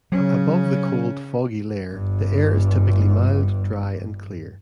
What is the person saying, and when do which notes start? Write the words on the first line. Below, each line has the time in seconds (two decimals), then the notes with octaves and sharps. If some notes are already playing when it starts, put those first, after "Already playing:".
Above the cold, foggy layer, the air is typically mild, dry and clear.
0.12 C#3 F#3 C#4
1.92 G1 G2